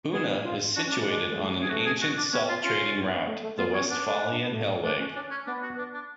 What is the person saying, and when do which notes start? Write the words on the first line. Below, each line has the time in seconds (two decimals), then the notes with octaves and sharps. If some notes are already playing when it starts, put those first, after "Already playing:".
Unna is situated on an ancient salt-trading route, the Westphalian Hellweg.
0.13 B3 G#4
0.29 B3
0.45 F4
0.76 D4 F#4
0.87 C#4
0.92 D4
0.97 A3
1.07 G#3 D4
1.32 G#3
1.39 A3
1.62 G#4
1.70 A3 F#4
1.86 G#4
2.02 F#4
2.17 D4
2.33 B3 C#4
2.49 F4
2.64 C#4 F4
2.80 C#4
2.96 C#4
3.06 B3
3.16 B3
3.27 A3
3.43 A3
3.58 B3 F4
3.69 B3
3.74 C#5
3.79 C#4
3.90 B3 D4
4.06 A3
4.32 D4
4.42 B3
4.52 A3
4.84 A3 D4
4.99 C#4
5.15 C#4 D4
5.31 C#4
5.47 B3 D4
5.63 F#4
5.78 D4
5.94 D4